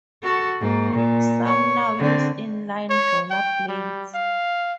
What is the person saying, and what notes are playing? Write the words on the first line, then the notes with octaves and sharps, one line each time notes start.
Some now use in-line roller-blades.
F#4 A4
G#2 A#3
A#2
C#5
D3 C4
C#5
G5
G3
F5